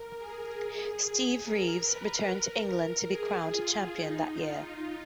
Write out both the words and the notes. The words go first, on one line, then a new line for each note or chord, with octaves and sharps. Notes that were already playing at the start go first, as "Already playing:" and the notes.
Steve Reeves returned to England to be crowned champion that year.
Already playing: A#4
G#4
A#4
B4
A#4
A#4
G#4
F4
D#4
F4